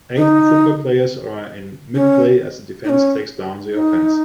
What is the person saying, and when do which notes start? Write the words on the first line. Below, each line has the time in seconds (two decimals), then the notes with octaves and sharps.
Eight football players are in midplay as the defense takes down the offense.
0.16 D#4
1.94 C#4
2.84 D#4
2.89 C#4
3.72 D#4